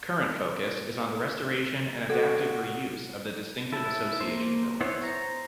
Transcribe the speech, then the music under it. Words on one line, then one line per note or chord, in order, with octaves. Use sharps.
Current focus is on the restoration and adaptive reuse of the distinctive Association buildings.
F#4 A4
E4 A5
A#3 C5
B3 E4 C5 C#5
C5 A#5